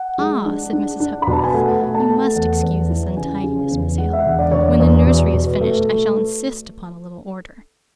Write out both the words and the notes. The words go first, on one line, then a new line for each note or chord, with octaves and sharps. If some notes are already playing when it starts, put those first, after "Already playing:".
'Ah!' said Mrs. Hepworth, 'you must excuse this untidiness, Miss Hale. When the nursery is finished, I shall insist upon a little order.
Already playing: F#5
G#3
D4
D4
D4
B2 B5
A5
G#5
A3 F#5
A3
A5
A3
E2 F#5
E2
E3
C#3 G#5
C#3
E2
G#3 F#5
E5
F#5
E1
D5
E1 C#5
D5
E2
B2
B2
A3